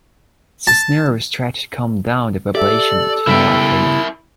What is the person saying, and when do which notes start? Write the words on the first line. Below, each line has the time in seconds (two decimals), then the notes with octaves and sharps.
Cisneros tried to calm down the population, to no avail.
0.67 A5
2.55 G4 A4 D5 E5
3.27 C#3 G3 B3 E4 A#4 E5 G5